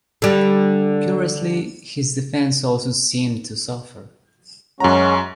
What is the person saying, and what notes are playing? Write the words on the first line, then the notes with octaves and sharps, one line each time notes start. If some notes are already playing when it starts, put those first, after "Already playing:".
Curiously, his defense also seemed to suffer.
D3 G3
F#2 G#3 C#4 F#4 A#5